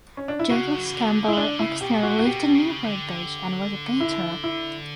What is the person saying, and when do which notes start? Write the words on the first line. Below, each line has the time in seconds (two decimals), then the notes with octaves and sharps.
Judith Campbell Exner lived in Newport Beach and was a painter.
0.17 C#4
0.28 D4
0.39 E4
0.50 C#3 F#4
0.77 F#3
0.86 E3
0.94 D3
1.28 E4
1.33 E3
1.37 D3 D4
1.59 C#3 E4
1.81 B2 G4
2.03 A#2 F#4
2.19 F#4
2.25 B2 G4
2.55 C#3
2.84 D3
4.00 E4
4.44 E4